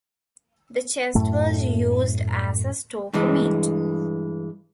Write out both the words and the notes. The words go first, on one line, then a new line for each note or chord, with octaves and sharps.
The chest was used as a store for meat.
F#2 A2 A3
G2 E3 G#3